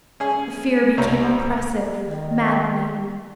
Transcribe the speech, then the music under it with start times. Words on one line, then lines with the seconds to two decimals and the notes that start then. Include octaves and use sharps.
The fear became oppressive, maddening.
0.20 C#4 G#4 G#5
0.97 C2 G3 C4 C#5 A#5
2.04 D#3